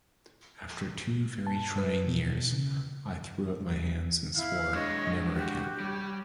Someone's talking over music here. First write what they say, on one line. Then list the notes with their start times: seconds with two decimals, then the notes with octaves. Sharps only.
After two very trying years, I threw up my hands and swore ‘Never again’.
1.47 A5
1.78 B4
2.07 B2
2.52 C#3
4.36 E4 F5
4.75 G#3 D4 C#5 D#5
5.35 F#4 G4
5.80 G3 C#5